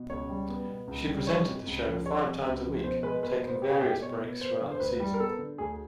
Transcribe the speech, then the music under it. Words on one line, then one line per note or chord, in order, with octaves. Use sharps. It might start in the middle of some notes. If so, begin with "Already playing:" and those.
She presented the show five times a week taking various breaks throughout the season.
Already playing: B2
C#2 C#5
G3
B3
B2
C#2
G3
G#3 C#5
C3
C#2
F3
G#3 C#5
C3
C#2
F3
B2 C5
G#3 B4
B2 B4
B3 C5
B2 G4
G#4
G#3 G4
B2 C#5
B3
B3 C5
D3
C5
D2 B4
G3
A#4
B3 A4
D3
D2 G#4